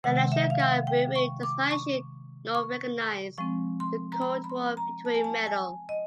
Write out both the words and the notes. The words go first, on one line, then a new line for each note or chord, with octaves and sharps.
The National Guard Bureau does not issue nor recognize the Cold War Victory Medal.
C3 D#3 G#3 F#5
E5
F5
F#5
G5
C#6
D6
C#6
C#6
F3 G#3 C4 C#6
C6
A#5
B5
B5
C6
A#5
A5
G#5
A5
G#5
D#5